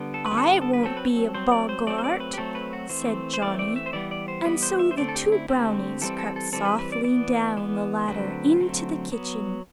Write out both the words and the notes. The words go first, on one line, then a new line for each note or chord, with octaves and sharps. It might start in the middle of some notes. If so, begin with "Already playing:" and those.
"I won't be a boggart," said Johnny, and so the two brownies crept softly down the ladder into the kitchen.
Already playing: D3 G3 B3
A4
B4
D3 G3 B3
A4
B4
A4
B4
F#3 C4 A4
B4
A4
F#3 C4 C5
D5
C5
F#3 A3 C4 D5
C5
D5
B4
G4
F#3 A3 C4 A4
B4
F#4
E3 A3 C4 C5
C5
E3 A3 C4 D5
D5
E5
C5
E3 G3 B3 D5
D5
C5
E3 G3 B3 B4
C5
E5
C5
D3 A3 C4 D5
A4
G4
E4
D3 A3 C4 G4
E3 G3 C4 A4
A4
A4
E3 G3 C4 A4
B4
B4
D5
E3 B3 D5
E3 B3
D3 F#3 A3 C4 B4
D3 F#3 A3 C4
F#3 B3